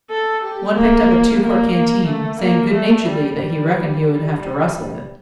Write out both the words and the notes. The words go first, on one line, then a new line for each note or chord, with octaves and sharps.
One picked up a two-quart canteen, saying good-naturedly that he reckoned he would have to rustle it.
A4
G4
A#3
A#3
A#3
A3
A#3
A3
G3
G3
G3